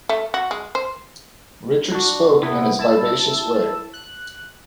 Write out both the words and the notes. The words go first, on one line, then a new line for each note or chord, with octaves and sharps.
Richard spoke in his vivacious way.
A3
F#4
G#3
C5
D4 F#4
C3 B3 E4
E4 A5 E6
F#6